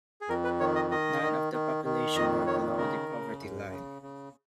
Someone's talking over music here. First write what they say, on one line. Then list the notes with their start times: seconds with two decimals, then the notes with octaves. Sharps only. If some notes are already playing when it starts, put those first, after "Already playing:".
None of the population were below the poverty line.
0.21 G#4
0.29 F2 A#4
0.44 B4
0.60 D#3 C#5
0.76 D#5
0.91 D#3 D#5
1.22 D#3
1.53 D#3
1.85 D#3
2.15 F2 D#5
2.47 D#3 C#5
2.77 C#3 A#4
3.09 C#3
3.40 F#2
3.71 C#3
4.02 C#3